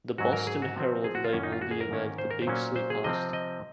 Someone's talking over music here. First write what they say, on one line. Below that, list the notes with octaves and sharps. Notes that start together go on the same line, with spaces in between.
The "Boston Herald" labeled the event "The Big Sleep Heist".
G#2 F#3 C#4 F#4
A#4
G#4
F#4
C3 F3 C4
G#4
F#4
F4
F#2 D#3 A#3 C#4
D#4
F4
F#4
G#4
A#4
G#2 D#3 A#3 C#4
C5
A#4
C5
A#2 F#3 A#3 C#4
C5
G#4
C3 F3 C4 D#5
D#5